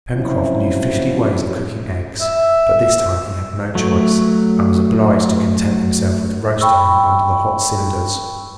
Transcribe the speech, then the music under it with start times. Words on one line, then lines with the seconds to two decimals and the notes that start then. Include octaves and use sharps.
Pencroft knew fifty ways of cooking eggs, but this time he had no choice, and was obliged to content himself with roasting them under the hot cinders.
0.16 F3 F#3 C4 C#4 E4
2.21 E5
3.75 F#3 A3
6.61 G5 B5 C#6 E6